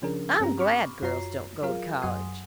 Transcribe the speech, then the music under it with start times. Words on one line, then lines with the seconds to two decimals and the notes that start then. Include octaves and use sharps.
"I'm glad girls don't go to College."
0.02 C#3 F3 C#4 D4 G#4 A#4
0.40 G2 C4 C#4 G4 A#5
0.59 B5 C#6 D6 F6
1.02 F#2 F4 F#4 C#5 A#5 C7
1.63 F#3 F4 G#4 A#4 F5
2.02 F#2 F#3 F#5 G#5 C6 D#6